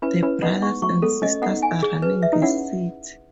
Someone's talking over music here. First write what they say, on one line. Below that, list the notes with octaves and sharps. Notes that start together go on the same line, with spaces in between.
The brothers and sisters are running this city.
C#4 E4 B4
C#4 E4 B4
B3 D#4 F#5
G#3 B3 C#6
F#3 A3 C#6
G#3 B3 A4
A3 C#4 D#5
B3 D#4 F#5
G#5
G#4
B4
E5
D#4
C#4 E4 F#5